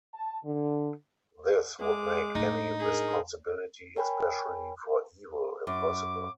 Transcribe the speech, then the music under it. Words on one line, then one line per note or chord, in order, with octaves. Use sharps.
This would make any responsibility, especially for evil, impossible.
A5
D3
G#3 D6
A2 D4 D#4
G#4 A#4
A#4 C#5 G5 G#5 B5
F#2 D6